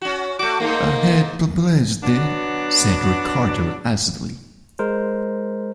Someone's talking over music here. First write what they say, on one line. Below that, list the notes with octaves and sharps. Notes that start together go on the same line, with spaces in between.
"I hate publicity," said Ricardo acidly.
C#4 F#4
A3 F#4 D6
G#2 A3 A#3 D#4
F#3 B3 D4
G#3 A#4 C5